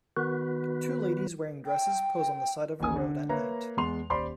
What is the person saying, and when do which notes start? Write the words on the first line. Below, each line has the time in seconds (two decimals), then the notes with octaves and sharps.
Two ladies wearing dresses pose on the side of the road at night.
0.17 D#3 B3 F#4 B4
1.66 G5
2.80 A1 D#2 G#5 D#6
2.96 D3
3.29 A#3 B4 C#5 E5 A#5
3.77 E2 G#3 C6 F7
4.10 D#1 C5 D5 B5 C6